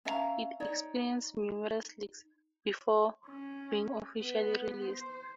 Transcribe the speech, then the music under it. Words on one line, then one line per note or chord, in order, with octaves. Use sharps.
It experienced numerous leaks before being officially released.
C#4 E5 F5 A#5
D#4 C#5 D5
C#4
B3 B4
C5